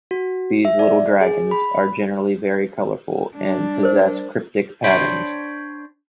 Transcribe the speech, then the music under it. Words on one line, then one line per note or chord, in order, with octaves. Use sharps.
These "little dragons" are generally very colorful and possess cryptic patterns.
F#4
E5
D5
G#4
B5
G3 D4
A#4 C5
D4 C5 C#5 G5 B5